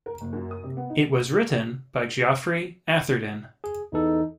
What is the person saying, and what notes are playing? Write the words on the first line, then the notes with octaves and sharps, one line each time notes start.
It was written by Geoffrey Atherden.
A#4
F#1
F#2
D#6
C3
B3
D#4
G#4
E2 E3 D#4 A4